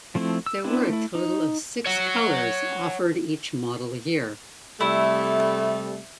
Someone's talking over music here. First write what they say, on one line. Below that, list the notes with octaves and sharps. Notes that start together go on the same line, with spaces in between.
There were a total of six colors offered each model year.
F3 A3 C4 E4
E6
B3 C4 D4 E4 B4
A3 E4
D#4
C#5 F#5
C3 G3 A3 E4